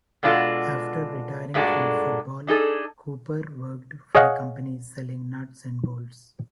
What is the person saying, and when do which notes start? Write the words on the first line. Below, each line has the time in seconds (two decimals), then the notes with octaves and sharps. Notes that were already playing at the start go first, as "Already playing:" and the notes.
After retiring from football, Cooper worked for a company selling nuts and bolts.
0.23 B2 G#3 D4 F4 F#4 A4
1.54 G2 A#2 G#3 D4 F#4 A4
2.47 D4 D#4 G#4 A4
4.15 G#4 C#5 D#5 F5 F#5